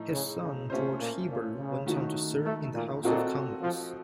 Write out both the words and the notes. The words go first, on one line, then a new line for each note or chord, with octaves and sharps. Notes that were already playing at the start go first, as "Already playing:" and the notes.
His son George Heber went on to serve in the House of Commons.
Already playing: A2 F3 A3 D#4
C#3
C#3
C3 A3 C#4 F4 C5
A#2
A#2
C#3
D#3 A3 D#4 F#4
A3
A#2
A#2 C4 F#4 A4 D#5
F3